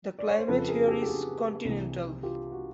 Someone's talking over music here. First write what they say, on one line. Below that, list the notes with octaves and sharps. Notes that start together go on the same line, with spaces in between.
The climate here is continental.
D5
C#5
C5
F2 C#3 F3 A4 B4
G#4 A#4
G4 A4
G4
F#4 G#4
C2 C3 E3
F4 G4
F#4